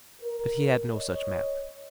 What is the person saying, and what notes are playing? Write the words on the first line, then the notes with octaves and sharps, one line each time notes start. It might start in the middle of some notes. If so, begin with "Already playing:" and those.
But he had no such map.
A#4
C#5 D#5